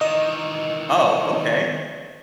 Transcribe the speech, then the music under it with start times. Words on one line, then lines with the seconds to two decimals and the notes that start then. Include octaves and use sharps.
Oh, okay.
0.01 D#3 E3 D#5